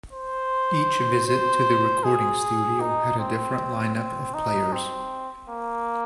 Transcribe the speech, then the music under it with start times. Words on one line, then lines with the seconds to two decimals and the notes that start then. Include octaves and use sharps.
Each visit to the recording studio had a different line-up of players.
0.13 C5
1.27 C5
2.03 G#4
2.80 D#4
3.19 C4
3.96 C4
4.34 D#4
4.72 C4
5.49 A#3